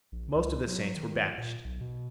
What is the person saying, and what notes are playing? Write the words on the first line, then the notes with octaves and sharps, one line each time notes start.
Most of the saints were banished.
A#1
C#2
F#3
D#3
A#2
B1
B2